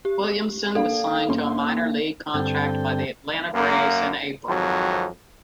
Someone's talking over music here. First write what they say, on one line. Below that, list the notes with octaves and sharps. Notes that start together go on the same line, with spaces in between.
Williamson was signed to a minor league contract by the Atlanta Braves in April.
G4
A#3 D4 A4 F5
G1 A#3 C#4 C6
G2 D3 C4 A4 G5
F#2 A#3
G#1 F2 F#3